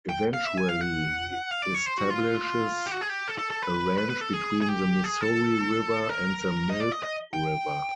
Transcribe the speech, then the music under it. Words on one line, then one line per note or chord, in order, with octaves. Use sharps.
Eventually he establishes a ranch between the Missouri River and the Milk River.
G5
F5
E5
G#5
F5
F#5
F5
D5
C#5
C5
F#4
F4
G4
F#4
G#4
G4
A4
A4
A4
B4
B4
B4
A4
G#4
G#4
G4
G#4
A4
A#4
D#5
D5
D#5
D#5
G5